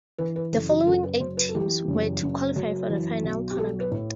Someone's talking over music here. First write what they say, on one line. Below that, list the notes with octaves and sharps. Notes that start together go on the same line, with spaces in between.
The following eight teams were to qualify for the final tournament.
E3 B4
B4
F#1 A4
F#4
F#1 A4
B4
F#2 C5
B4
A4
E3 G4
F#1
F#1
F#2
E3
B1
G4
B1 A4
B4
A2